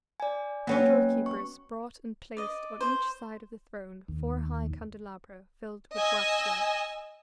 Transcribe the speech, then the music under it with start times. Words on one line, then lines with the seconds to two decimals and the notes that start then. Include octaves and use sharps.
Four doorkeepers brought and placed on each side of the throne four high candelabra filled with wax-lights.
0.20 D5 G#5
0.67 F#3 A#3 B3 C#4 G5
1.26 C#6
2.37 D5 D#5
2.81 C5
4.08 D#2
5.95 D#5 G#5 E6